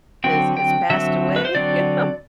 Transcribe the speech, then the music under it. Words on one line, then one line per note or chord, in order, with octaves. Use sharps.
is has passed away, you know,
D3 F#3 C4 G5
G5
D3 F#3 C4 E5
B4
C5
D3 F#3 C4 D5